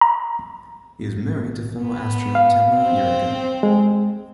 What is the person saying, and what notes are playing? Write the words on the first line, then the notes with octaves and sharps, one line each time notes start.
He is married to fellow astronaut Tamara Jernigan.
A#5
B3
F5
C4 C5
G#3